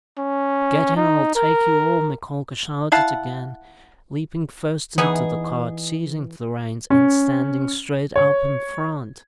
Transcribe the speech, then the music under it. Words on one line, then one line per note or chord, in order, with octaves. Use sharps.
"Get in, I'll take you all," Mikolka shouted again, leaping first into the cart, seizing the reins and standing straight up in front.
C#4
D#4
A#4
E4 F5 F#5 A5
E3 B3 D#4 G#4
C#4
C#5